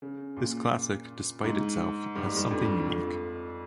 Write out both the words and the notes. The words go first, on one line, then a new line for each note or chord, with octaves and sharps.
This classic, despite itself, has something unique.
C#3
A#2
G#2
G2
G#2
G2
F2
F2